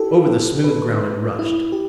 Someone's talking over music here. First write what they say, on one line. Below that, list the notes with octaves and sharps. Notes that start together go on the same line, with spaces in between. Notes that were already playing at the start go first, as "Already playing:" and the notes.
Over the smooth ground it rushed.
Already playing: E4 G4 A4
B4
A4
E4
G4